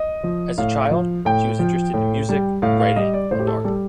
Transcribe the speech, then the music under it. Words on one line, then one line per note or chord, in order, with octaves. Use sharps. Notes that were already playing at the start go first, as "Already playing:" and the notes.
As a child, she was interested in music, writing and art.
Already playing: D#5
F3
A2 F5
F3
A2 G5
F3
A2
G3
A2 F5
F5
G3 D#5
D5
A2 C5
G4
A4
G3 A4